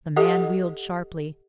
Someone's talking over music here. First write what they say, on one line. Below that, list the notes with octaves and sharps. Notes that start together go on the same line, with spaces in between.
The man wheeled sharply.
G4 A4 D#5 F#5